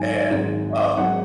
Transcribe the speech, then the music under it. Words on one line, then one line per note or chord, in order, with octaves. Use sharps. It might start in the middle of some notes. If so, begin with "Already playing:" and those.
and, um,
Already playing: G#1 G#2 D#3 F#3 G#5
G#1 G#2 D#3 F#3
G#1 G#2 D#3 F#3 F#5